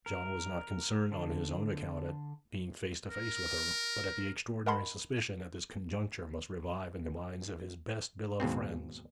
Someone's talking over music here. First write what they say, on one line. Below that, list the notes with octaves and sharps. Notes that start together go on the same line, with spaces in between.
John was not concerned on his own account at being face to face with her, but at the extraordinary suspicion that this conjuncture must revive in the minds of his best beloved friends.
A#4
D3
A#4
A#4 D#5 F#5 A5 B5 C6
D#2 G#2 B2 C4